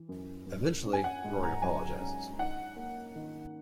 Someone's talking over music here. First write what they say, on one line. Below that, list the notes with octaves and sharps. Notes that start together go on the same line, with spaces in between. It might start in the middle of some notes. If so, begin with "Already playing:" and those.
Eventually Rory apologizes.
Already playing: E3
F#2
F#2
C#4
G#5
F#5
G#2
A#5
F#3 G#5
C#4
D#4 F#5
A#3
D#3